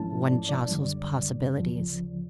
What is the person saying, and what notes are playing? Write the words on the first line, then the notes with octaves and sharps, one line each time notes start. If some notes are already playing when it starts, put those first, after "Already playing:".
One jostles possibilities.
Already playing: G#2 F3 A3 C#4 E4 A5
D5
D5
F#2 D3 G3
D2 C#3 F3